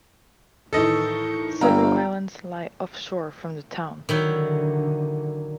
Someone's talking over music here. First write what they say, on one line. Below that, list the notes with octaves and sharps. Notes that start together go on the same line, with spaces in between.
Several islands lie offshore from the town.
A2 D#3 E3 A4 D#5
G1 F5 G5 A#5 E6
D3 D#3 F#3 E4